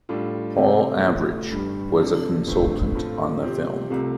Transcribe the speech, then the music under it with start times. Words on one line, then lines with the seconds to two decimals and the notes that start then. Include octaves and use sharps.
Paul Avrich was a consultant on the film.
0.09 A2 G3 D4 F4 A4
0.57 C3 A3 C4
1.05 A1 A2 F3 A3
1.52 G1 G2 G3
2.00 F2 C3 F3 D4 A4
2.47 G1 G2 F3 A3 C4
2.95 A2 A3 C4 F4 A4
3.43 C3 F3 C4 G4
3.90 C2 C3 F3 A3